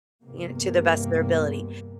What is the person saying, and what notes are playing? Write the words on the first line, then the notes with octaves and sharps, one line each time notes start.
you know, to the best of their ability.
E2 G2 C3 A#3